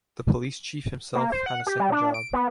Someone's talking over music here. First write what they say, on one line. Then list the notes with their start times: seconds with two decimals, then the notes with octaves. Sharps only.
The police chief himself had a second job.
1.15 A#3
1.32 C5
1.46 F#5
1.67 G4
1.80 G3
1.92 D4
2.14 D7
2.33 B3